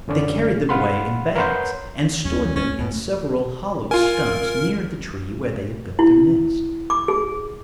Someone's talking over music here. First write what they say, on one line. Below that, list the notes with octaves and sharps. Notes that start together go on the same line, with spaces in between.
They carried them away in bags, and stored them in several hollow stumps near the tree where they had built their nest.
F#2 D3 C#4 D5
F5 F#5 B5 C6
A#4 B4 C#5 F#5 C6 G6
D#2 F#3 G3 C#4
D2 D3 E3
C#2 C#4
C#2 F#2 B2
F4 A#4 G#5
E4
D6
G#4